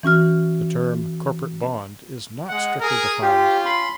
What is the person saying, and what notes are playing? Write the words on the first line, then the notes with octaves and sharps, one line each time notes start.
The term "corporate bond" is not strictly defined.
E3 C#4 F#4 F6
G#3 F#5
G#4 A#4
C#4 F4 G4
B5 C6